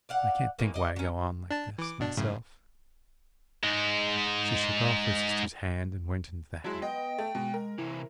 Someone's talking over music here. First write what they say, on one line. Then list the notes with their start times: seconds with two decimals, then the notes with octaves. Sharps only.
"I can't think why I go on like this myself." She shook off her sister's hand and went into the house.
0.09 D5 F5 F#5
0.59 D#3 E3 G#3 A#3
0.74 D5 D#5
0.96 F#3 C#4
1.51 D4 A5
1.78 E3 D6
2.00 B2 D4
2.17 F#2 A2 C#3
3.63 G#2 G#3
6.64 F#3 G#3 E4 A5
6.82 B3 D#5 G5
7.18 A3
7.35 B2 G#3
7.54 A#4
7.78 C3 E3 E4